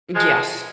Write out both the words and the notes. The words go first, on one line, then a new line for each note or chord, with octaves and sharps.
Uh, yes.
F3 G#3